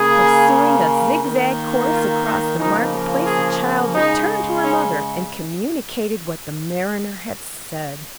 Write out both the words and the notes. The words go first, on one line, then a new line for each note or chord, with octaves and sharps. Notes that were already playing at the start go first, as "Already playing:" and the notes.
Pursuing a zigzag course across the marketplace, the child returned to her mother, and communicated what the mariner had said.
Already playing: C#3 A#3 G#4
D#3 A#3
F4
D#4
C#3 F3 A#3 D#4
G#4
C#3 G#3 D#4
C#4